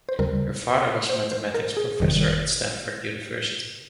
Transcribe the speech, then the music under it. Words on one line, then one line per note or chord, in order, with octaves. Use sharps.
Her father was mathematics professor at Stanford University.
C5
D#2 C#3 G3 A#4
C5
C5
A#4
G#4
G1 F2 C3 D#3 G3